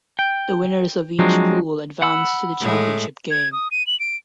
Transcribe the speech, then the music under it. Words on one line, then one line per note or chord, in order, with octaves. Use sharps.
The winners of each pool advanced to the championship game.
G5
F3 F#3 G#3 C4 D4
F#5 B5 E6
A2 G#3 A3
G#6
D#6
D#7
F#7
D7